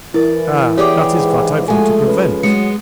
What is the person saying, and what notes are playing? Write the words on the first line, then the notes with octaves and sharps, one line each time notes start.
"Ah! dat is vat I vant to prevent."
E3 E4 A#4 D5
E2 G4 G#4 C#5 D5 G5 D6
G#2
F3 G#3 A3 F#4 A4 G#5
C#2 C#4 B4
F#3 G#3 B3 C#7